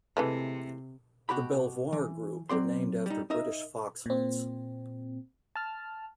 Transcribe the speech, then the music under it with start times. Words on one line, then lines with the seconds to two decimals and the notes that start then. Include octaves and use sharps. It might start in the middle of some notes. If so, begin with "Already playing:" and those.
The "Belvoir" group were named after British fox hunts.
0.17 C3 E3 G#3 A3
1.29 B2 F#4 G4 B5
1.93 E3
2.49 F#3 C4 D5 C6
3.06 G3 D#4
3.30 D#4 A#4 D#5 E5
4.06 A#2 C4
5.56 A5 F6